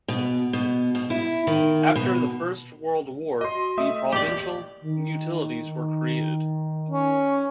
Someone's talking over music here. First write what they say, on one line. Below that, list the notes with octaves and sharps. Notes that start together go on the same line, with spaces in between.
After the First World War, the provincial utilities were created.
B2
B2
B2
E4
D#3
B2
F#4 D#5 C6
A3 D#5 E5 D#6
G#1 E2 A#2 G4 D5
D#3
C#4